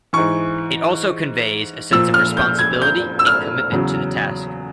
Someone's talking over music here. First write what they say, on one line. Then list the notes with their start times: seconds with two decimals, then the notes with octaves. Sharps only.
It also conveys a sense of responsibility and commitment to the task.
0.13 G#2 E3 C#6
1.92 A#2 F3 E6
2.14 F6
2.37 G6
2.59 G#6
2.82 G6
3.19 E6
3.26 F6
3.71 E2 C#3 F#3